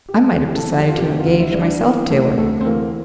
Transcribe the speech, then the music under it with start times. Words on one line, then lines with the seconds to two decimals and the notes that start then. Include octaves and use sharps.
I might have decided to engage myself to her.
0.09 G4
0.14 G3 A4
0.35 G4
0.42 E3
0.47 G4
0.56 A4
0.70 F2
0.77 G4
0.89 F4
0.97 C3 G4
1.19 F4
1.26 D2
1.40 E4
1.54 G3
1.61 D4
1.81 E3 A#3
2.10 C3 A3
2.38 D2 A3
2.61 C4
2.66 E3 A#3